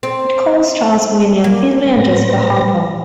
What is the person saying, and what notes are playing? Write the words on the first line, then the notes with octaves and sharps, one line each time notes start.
It co-stars William Finley and Jessica Harper.
C4
A#3
A2 B4 C5 A#6